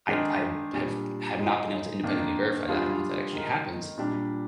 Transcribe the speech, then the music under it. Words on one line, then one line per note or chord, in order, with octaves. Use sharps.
I I have have not been able to independently verify that, I don't know if that actually happens.
D#3 G#3 D4 G#4
A#2 G3 D4 G#4
G#3 D#4 G#4
D#3 A#3 D4
G3 D4 F4 G#4
D#3 G#3 D#4 A#4
A#2 G3 D4 G4